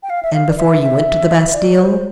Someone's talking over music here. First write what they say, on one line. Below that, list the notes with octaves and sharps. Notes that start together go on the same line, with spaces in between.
"And before you went to the Bastile?"
G5
F5
E5
F5
D5
E5
E5
D5
C5